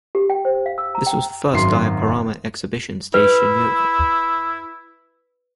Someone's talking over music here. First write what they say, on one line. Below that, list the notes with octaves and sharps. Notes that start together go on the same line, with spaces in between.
This was the first Diaporama exhibition staged in Europe.
G4
G5
C5
F5
E6
A#5
G5
G#1 F#2 C6 C7
E4 B4